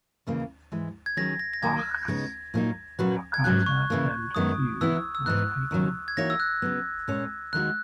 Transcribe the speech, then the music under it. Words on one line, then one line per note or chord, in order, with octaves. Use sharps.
Bach's "Toccata and Fugue" was taken.
D#2 C#3 E3 A#3
G#2 E3 G#3
G#6
D#3 F#3 C#4 G#4 A#6
A#6
A#6
D#3 F#3 A#3 G#6
C#3 G#3 B3 D#4
A#2 F#3 A#3 D#4
A#2 F#3 C#4 F#4 B4
G#6
G#2 F#3 C#4 F#6
C#6
C#3 E3 A#3
F#2 D#3 G#3 B3 D#6
E3 B3 E4 E6
E6
G#2 E3 B3 F#6
D#2 D#3 F#3 C#4
G#6
E3 A#3 D#4 F#4 C#5 A#6
E6
F#6
C#3 F#3 B3
A#2 G#3 C#4 G#4 C#5
D#2 D#3 G#3 D#4 F#4 F#6